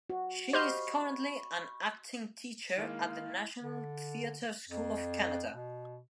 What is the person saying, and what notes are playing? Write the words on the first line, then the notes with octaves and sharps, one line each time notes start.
She is currently an acting teacher at the National Theatre School of Canada.
F#4
G4 C5 D#5 F5 B5 C#6 F6 G6
D#3 G#3 A#3 E4 F5
D3
F2
B2